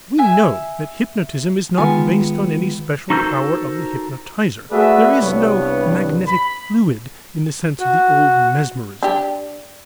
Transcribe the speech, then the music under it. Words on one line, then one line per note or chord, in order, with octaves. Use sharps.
We know that hypnotism is not based on any special power of the hypnotizer; there is no magnetic fluid in the sense of the old mesmerism.
E5 G#5
D#3 G#3 B3 F4 G#5
D#4 F#4 A4 A#4 C5
A3 F#4 G#4 B4 D5 E5
C2 G2 B3 C#5
B5
F#4
D4 G4